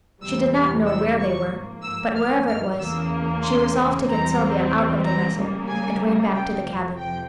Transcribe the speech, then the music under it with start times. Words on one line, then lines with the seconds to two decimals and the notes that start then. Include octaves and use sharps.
She did not know where they were, but wherever it was she resolved to get Sylvia out of the vessel, and ran back to the cabin.
0.21 E2 C3 E3 G3 E6
0.54 F6
0.86 E6
1.18 C#6
1.50 G#2 F3 A#3
1.82 E6
2.15 F6
2.47 F6
2.78 E2 C#3 E3 A#3 E6
3.43 C6
4.07 E2 E3 G3 C4 A#5
5.04 A#5
5.36 C#3 G3 A#3
5.67 G#5
6.33 G5
6.64 F2 C3 F3
6.97 G5